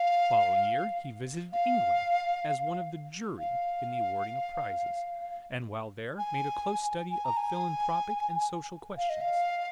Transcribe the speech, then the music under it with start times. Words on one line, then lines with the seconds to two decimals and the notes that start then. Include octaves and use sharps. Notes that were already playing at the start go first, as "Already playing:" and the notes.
The following year he visited England as one of the "jury" in the awarding of prizes; and while there made a close study of philanthropic and social questions.
Already playing: F5
1.53 F5
3.38 F5
6.18 G#5
7.11 G#5
7.25 A#5
7.37 G#5
8.97 F5
9.10 D#5
9.21 F5